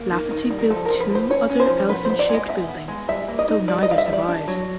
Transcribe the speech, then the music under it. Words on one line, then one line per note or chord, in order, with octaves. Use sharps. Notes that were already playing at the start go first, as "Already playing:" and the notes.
Lafferty built two other elephant-shaped buildings, though neither survives.
Already playing: A#3
D#3
D#3
G3
A#4
F3 A4
F3 A#4
B4
F3
C5
C#4 C#5
C#4
C5
F3
B3 B4
B3 C5
D5
G#3 D#5
B3 E5
B3
G#3
G3 E5
A#3
D#5
D#4
G3 D5
D#5
G3 F5
E5
G3
D5
D4
F#3